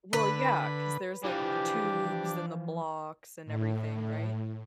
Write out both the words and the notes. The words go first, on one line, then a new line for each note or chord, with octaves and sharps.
Well, yeah, 'cause there's, like, the tubes, and the blocks, and everything, right?
D3 B4 B5
E3 F3 D4 G4
A2